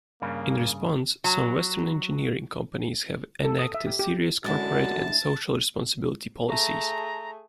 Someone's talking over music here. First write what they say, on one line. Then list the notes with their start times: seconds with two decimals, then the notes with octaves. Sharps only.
In response, some western engineering companies have enacted serious corporate and social responsibility policies.
0.22 G2 C#3 A#3
1.24 F#3
3.44 A4
3.59 D#6
3.74 E5
3.87 G4
3.99 G4
4.44 F#2 D3 G#3 D4 E4 F#4 A5
6.48 A3 G#4 A#5